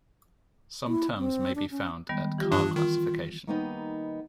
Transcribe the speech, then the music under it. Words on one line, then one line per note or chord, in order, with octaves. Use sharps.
Some terms may be found at car classification.
E4
C4
D4
C#4
D#3 G3 G#3 B3
E3 G3 F4 G4
G2 D4 D#6 F#6
D#3 F4
D#3 G3 A#3 B3 D4 D#4